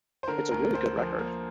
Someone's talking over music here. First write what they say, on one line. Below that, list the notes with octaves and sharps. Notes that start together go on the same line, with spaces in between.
It's a really good record.
C5
D3 A#4
D2 A#4
D2 C5
F3
A#3